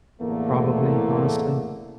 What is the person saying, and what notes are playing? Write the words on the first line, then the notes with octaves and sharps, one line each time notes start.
Probably, honestly.
E2 A2 D3 A3 A#3